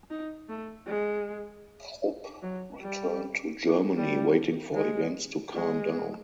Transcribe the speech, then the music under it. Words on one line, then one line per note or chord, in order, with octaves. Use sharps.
Krupp returned to Germany, waiting for events to calm down.
D#4
A3
G#3
F#3
G3
G3
G#3
G#3